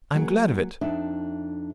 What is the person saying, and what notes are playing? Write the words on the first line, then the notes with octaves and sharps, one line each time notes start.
I am glad of it.
F#3 A#3 G#4
F2 D4 D#4 E5